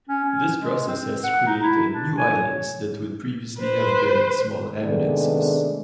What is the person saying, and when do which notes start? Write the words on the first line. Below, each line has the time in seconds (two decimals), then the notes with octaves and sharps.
This process has created new islands that would previously have been small eminences.
0.09 C#4
0.24 C#4
0.55 G#3
0.88 C4
1.24 F#5
1.47 D#4
1.63 E4
1.92 D4
2.17 G#5
2.43 C#5
3.59 B4 C5
4.81 C3 D#3 G#3 A3 B3 D4